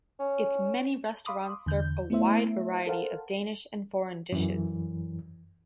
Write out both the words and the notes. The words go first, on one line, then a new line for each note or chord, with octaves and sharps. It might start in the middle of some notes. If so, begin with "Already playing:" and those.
Its many restaurants serve a wide variety of Danish and foreign dishes.
C#4
F5 B5 C6 D6 D#6
E2 D3 G6
A3 B3 E4 C5 E5
A4 A#4 C5 F5 F#5 A5
F#2 E3